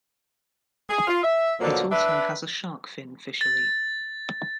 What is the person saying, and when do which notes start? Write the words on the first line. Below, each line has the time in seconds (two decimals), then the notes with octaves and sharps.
It also has a shark fin fishery.
0.90 G#4
1.07 F4
1.23 E5
1.60 F2 B2 D3 F#3 A#3
1.91 D4 B4 E5
3.41 A6